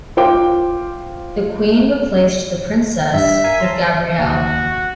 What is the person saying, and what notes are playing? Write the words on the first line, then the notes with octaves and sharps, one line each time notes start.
The Queen replaced the princess with Gabrielle.
F4 C5 G5 D6
G2 E5
A#4 F5 G#5
A5 A#5 C6
D#2 F#4